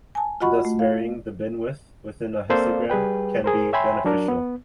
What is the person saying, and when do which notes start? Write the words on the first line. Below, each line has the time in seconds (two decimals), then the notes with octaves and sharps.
Thus varying the bin-width within a histogram can be beneficial.
0.15 G#5 A5
0.40 F4 F#4 D#5 F#5 B5 C#6
0.65 A3
0.79 F5
2.50 A#3 C4 A4 C5 D5 F5
2.90 G3 G#4 B4 G5
3.44 G#4 A#4 C5
3.73 C#5 E5 G5 G#5 B5 C6
4.05 F#3 D4 A#4
4.28 B3